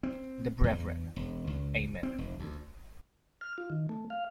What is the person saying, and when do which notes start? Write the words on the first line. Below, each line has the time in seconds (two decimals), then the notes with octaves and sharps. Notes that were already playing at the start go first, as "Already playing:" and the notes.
The Brethren: Amen.
0.03 C4
0.64 E2
1.16 E1
1.47 C#2
2.03 C4
2.18 F1
2.40 D2
3.41 F6
3.58 F4
3.70 D#3
3.89 A3
4.10 F5